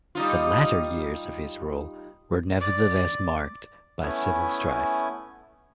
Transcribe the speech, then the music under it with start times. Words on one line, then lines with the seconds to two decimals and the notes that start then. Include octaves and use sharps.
The latter years of his rule were nevertheless marked by civil strife.
0.15 G3 D#4 F4
2.60 D5
4.02 A3 B3 C#4 E4 G#5